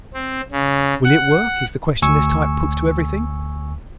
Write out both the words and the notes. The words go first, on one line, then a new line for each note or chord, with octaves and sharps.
"Will it work?" is the question this type puts to everything.
C4
C#3
F#5
D2 G#5 C#6 E6